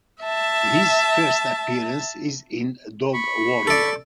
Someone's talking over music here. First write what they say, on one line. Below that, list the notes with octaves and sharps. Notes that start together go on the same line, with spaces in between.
His first appearance is in "Dog Warrior".
E5 A5
B5 C#6
A4 D5